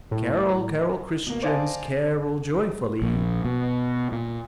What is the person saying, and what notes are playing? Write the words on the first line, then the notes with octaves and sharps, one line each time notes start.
"Carol, carol, Christians, Carol joyfully."
A2
B2 A#3
C5 D5 D#5 F5 G#5 A5
A#1
B2
A#2